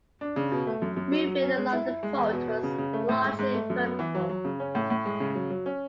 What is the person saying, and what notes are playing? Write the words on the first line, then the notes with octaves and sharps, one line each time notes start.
Movement along the fault was largely vertical.
D4
C#3
B2
A3
F#2
F#2
F#3
F#3
C#4
G#3
E4
E4
G#3
E2
B2
B2
C#3
C#3
A3
A2
G#2
G#2
A3
F#2
B3
E3
F#3
F#3
C#3
C#4
A2
A2
G#3
C#3
F#3
F#3
C#4